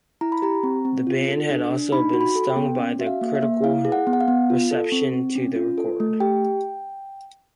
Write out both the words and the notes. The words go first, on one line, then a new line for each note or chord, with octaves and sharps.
The band had also been stung by the critical reception to the record.
E4 A#5
B5
G4 A#5
C4
C4
F4
A4
D4
D4
D#4 B5
F#4
B5
A4
G5
B3
C#4
F#4 E5
F5
A#3
E5
A#3
E4 F5
G#4
F#5
B3
F#5
F5
B3
F4
A4
C4
C4
C#4
F4
A4
A3
G4 G5